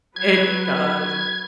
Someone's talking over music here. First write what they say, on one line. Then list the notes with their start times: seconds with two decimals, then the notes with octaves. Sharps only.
It does.
0.16 F#3 B4 G#6